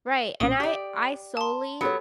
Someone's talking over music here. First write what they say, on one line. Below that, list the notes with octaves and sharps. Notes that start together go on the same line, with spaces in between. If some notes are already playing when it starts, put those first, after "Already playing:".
Right, and I I solely
B1 A#2 C#4 D#6
G4 D5 G6
A5 C6 D#6
F#3 B3 G4 A4 C#5 C#7